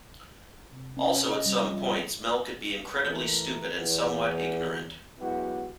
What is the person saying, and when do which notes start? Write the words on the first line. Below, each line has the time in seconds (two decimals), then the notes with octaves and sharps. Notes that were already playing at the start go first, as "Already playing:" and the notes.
Also, at some points Mel could be incredibly stupid and somewhat ignorant.
0.73 C3
0.97 C#4
1.16 C#4
1.30 D#5
1.46 G3
1.59 F3
1.77 E5
3.04 E3 A3 A#4
3.75 E2
5.19 F#2 G#3 B3 E4 F#4 G4